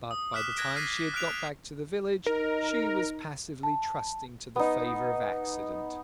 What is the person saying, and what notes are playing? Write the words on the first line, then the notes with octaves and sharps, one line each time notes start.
But by the time she had got back to the village she was passively trusting to the favour of accident.
D#6
D6 F6 F#6 B6 E7
F#6 G#6 A#6 D7
F6 A6 B6 C7 D#7
F6 F#6 B6 D7 F7
D#4 A#4
A5
B3 D#4